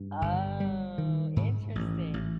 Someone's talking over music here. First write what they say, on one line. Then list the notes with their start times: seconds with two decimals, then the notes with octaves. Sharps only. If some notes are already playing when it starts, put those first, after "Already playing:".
Oh, interesting.
Already playing: G2
0.22 G1
0.60 G3
0.98 D#3
1.36 G#2
1.75 A1
2.14 A1